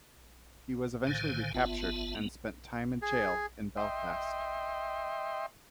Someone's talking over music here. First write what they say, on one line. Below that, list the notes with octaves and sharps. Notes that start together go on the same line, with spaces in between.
He was eventually recaptured and spent time in jail in Belfast.
A2 D3 D#3 C5 F5 G#5
G1 B3 F4 E5 A5
A#3 B3
G#4
D#5 E5 G5 C6